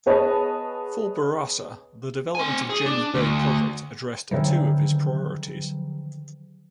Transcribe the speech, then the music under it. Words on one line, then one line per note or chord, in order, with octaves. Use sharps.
For Bourassa the development of James Bay project addressed two of his priorities.
B3 G#4 B4 C#5 D#5 A5
C4 G#5
G#4
D4
D2
D3 D#3 F3 F#3